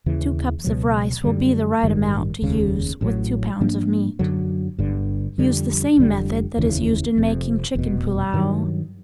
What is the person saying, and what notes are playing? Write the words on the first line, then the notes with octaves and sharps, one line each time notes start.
Two cups of rice will be the right amount to use with two pounds of meat. Use the same method that is used in making chicken pullao.
D#2 C#3 E3
C#2 B2 F#3
F#2 D3 G3
A1 G2 D#3 G3
F1 D#2 C#3
A1 A2 F#3
G#2 F3 A#3 D4
F#2 D3 F#3
G1 G2 D3
F2 D3 G3
F1 F2 D3 G3
F1 D#2 C#3 E3
F1 F2 C3
F1 E2 B2
G2 D#3 F#3